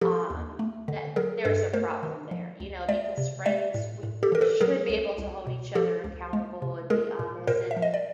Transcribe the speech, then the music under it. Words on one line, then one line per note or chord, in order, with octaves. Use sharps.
um, that there's a problem there, you know, because friends we should be able to hold each other accountable and be honest, and
F3 G4 A4
D#2
A3
D3
F#3 G#4 A#4
G2 A4 B4
A3 A#4 C5
D#3
F3
C#2
G#3 D5 E5
C3
G#3 D5 E5
A2
A2
G4 A4
E3 A#4
A4 B4
F#3 G#4 A#4
C2
C2
B2
F3 G4 A4
C#2
G#3
C3
G#3 G#4 A#4
A#2
A#2 A#4 C5
E5
F3
D#5
D5